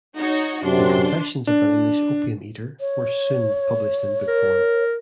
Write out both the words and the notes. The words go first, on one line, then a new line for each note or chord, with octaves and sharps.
The "Confessions of an English Opium-Eater" were soon published in book form.
D#4 F#4 C#5
F#2 C3 D4 C6
D4
C#5
A#4